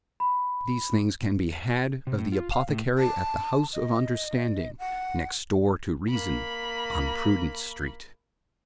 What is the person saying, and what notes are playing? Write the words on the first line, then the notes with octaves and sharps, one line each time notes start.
These things can be had of the apothecary at the house of Understanding next door to Reason, on Prudent street.
B5
C3
A2
F4
F5
A2
A5
D#5
F#5
A#3 B5